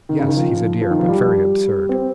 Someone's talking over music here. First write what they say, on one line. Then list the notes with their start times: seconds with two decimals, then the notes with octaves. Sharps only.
"Yes, he's a dear, but very absurd."
0.09 D#3
0.19 C#3
0.28 D#3
0.36 F3
0.81 F3
0.91 D#3
1.00 F3
1.09 G3
1.89 C4